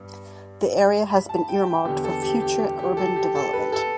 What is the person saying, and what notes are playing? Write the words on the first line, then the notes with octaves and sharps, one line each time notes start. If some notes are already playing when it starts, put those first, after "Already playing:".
The area has been earmarked for future urban development.
Already playing: G2 G3 B3
B5
A5
G5
G5
E2 D3 B3 G4
A4
G4
G4
G4
G4
A4
G4
A4
B4
A4